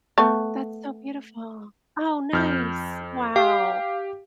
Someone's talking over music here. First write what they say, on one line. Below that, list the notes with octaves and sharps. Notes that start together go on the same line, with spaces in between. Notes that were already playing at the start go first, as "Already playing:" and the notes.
That's so beautiful. Oh, nice! Wow.
A3 B3
F2 F6 G6
G4 F5